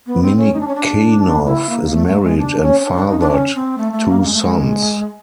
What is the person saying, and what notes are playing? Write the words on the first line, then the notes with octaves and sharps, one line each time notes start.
Minnikhanov is married and fathered two sons.
B3
C4
C#4
D#4
D4
C#4
D4
E4
A#3
A3
A3
G#3
D4
C#4
C#4
D4
C#4
D4
D#4
D4
C#4
C4
A3
A3
A#3
G#3
A3
G#3